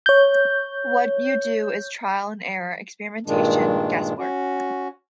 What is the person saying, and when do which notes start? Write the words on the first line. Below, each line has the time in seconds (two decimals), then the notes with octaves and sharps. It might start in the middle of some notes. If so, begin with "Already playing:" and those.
What you do is trial and error, experimentation, guesswork.
0.06 C#5 G6
3.27 G2 A#2 D#3 G#3 D4
4.19 C#4 F#4